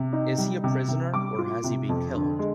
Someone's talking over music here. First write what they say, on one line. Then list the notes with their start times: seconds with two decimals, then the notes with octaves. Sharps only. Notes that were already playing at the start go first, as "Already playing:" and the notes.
Is he a prisoner or has he been killed?
Already playing: C3
0.13 D#4
0.38 G3
0.64 C3
0.88 C3
1.14 G3 D6
1.38 F4
1.64 C3
1.89 F2
2.15 D3
2.39 G#3